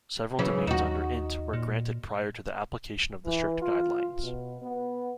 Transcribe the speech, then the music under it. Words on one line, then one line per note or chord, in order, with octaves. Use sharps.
Several domains under "int" were granted prior to the application of the strict guidelines.
C#3 E3 F#3 C#4
D#2 D#4 F#4
A#2
E3
F4
B2
B3